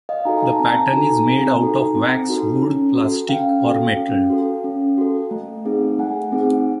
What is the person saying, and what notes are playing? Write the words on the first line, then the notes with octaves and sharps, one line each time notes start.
The pattern is made out of wax, wood, plastic, or metal.
D#5 F5
D#4 F#4 A4 G#5 A#5
G#5 A#5
A5
C4 G#5 A#5
D#4 F#4 A4 G#5 A#5
C4 G#5 A#5
D#4 F#4 A4
C4
D#4 F#4 A4
C#4
F#4 A4
C#4 F5 G5
F#4 A4
C#4
F#4 A4
C#4
F#4 A4
A3
C4 D#4 G#4
A3 F#5 G#5
C4 D#4 G#4